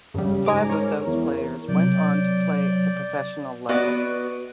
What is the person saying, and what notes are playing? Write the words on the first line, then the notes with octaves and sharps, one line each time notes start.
Five of those players went on to play at the professional level.
G2 C#3 G3
G#2 G#5 A#5 D6
A#4 C#5
E2
C3 F#3 D5 G6
B3 F#4 B4 D5 D#5